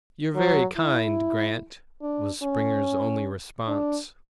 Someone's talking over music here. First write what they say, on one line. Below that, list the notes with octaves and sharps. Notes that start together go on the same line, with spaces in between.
"You're very kind, Grant," was Springer's only response.
F#3
E4
D4
C#4
D4